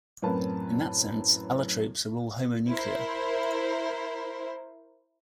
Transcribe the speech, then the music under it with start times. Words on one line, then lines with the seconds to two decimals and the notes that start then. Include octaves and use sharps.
In that sense, allotropes are all homonuclear.
0.22 F#2 A2 C4 A#4 B4 A5
2.69 E4 A#4 C5